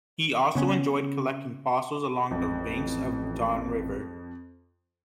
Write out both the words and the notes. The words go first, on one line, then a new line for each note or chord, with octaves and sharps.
He also enjoyed collecting fossils along the banks of the Don River.
C#3 B3 C#4
A1 F2